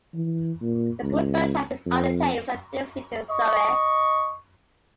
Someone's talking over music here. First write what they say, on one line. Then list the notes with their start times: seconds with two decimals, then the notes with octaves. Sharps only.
The school's boathouse is on the Thames at Thames Ditton, Surrey.
0.14 E3
0.62 A#2
1.02 C#2
1.86 F2
3.31 D#5 C#6